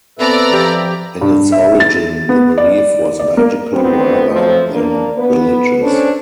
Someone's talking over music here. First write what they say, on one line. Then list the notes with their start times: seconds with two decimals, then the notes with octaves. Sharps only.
In its origin the belief was magical rather than religious.
0.19 B3 C4 A4 B4 D5 E5 A#5
0.53 F3 G4
1.21 G2
1.52 E5
1.80 A6
2.29 B3
2.58 D5
3.20 D5
3.37 A#3
3.72 D2 B3 C4
4.30 F3 F#3 A3 C4
4.72 A#3 D4
5.17 B3 B4
5.81 C#4 D4 A4 C5